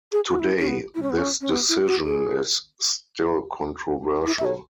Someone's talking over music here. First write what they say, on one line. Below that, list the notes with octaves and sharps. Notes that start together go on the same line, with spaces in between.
Today, this decision is still controversial.
G#4
F#4
E4
C#4
B3
E4
C#4
B3
C#4
C#4
B3
E4
F#4
G#4
E4
E5
C#5